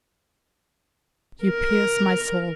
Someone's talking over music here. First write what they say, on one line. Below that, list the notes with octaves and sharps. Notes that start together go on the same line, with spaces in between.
You pierce my soul.
A#4